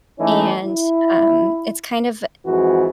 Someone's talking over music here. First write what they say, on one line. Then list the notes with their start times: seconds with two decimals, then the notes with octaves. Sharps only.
and, um, it's kind of
0.19 E3 A3 C#4 D#4
0.64 E4
2.46 F2 G#2 E3 F#4